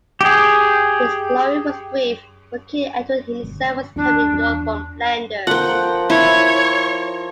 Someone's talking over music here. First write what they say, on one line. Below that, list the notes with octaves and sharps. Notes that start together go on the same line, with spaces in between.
His glory was brief, for King Edward himself was coming north from Flanders.
G4 G#4
G1
D#2 D4
E2
F3 A#4 F#5 G5
E4 C#5